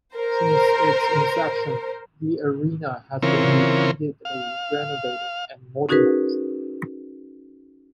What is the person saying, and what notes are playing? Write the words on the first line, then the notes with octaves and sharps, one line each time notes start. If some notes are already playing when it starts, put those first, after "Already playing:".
Since its inception, the arena has been repeatedly renovated and modernized.
A#4 C5
C#3 E3 C4 F4 A#4 C#5
F5
C#4 D#4 F#4 G#4 A#4 B4